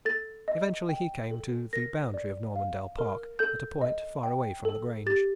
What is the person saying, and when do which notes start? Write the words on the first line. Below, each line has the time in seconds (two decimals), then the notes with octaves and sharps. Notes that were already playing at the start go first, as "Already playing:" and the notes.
Eventually he came to the boundary of Normandale Park at a point far away from the Grange.
0.05 A4 A6
0.48 D#5
0.89 G5
1.31 A4
1.73 A#4 A#6
2.14 D5
2.56 F5
2.99 A#4
3.39 A4 G6
3.81 D#5
4.23 G5
4.65 A4
5.06 G4 A6